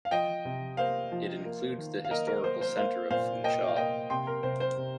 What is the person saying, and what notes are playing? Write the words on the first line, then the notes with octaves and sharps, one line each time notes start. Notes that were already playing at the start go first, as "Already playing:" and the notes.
It includes the historical centre of Funchal.
F5
F3 D#5 G5
C3
A#3 C5 F5
F3
A#3
D#3
F5
A#3 A#4 D#5
A#4
A#3 C5
C5
A#3 C5 F5
A#2 C5 F5
A#3 D#5 G5
F5
A#3 D#5 G5
C3 G5 C6
A#4
C3 C5
C5
C3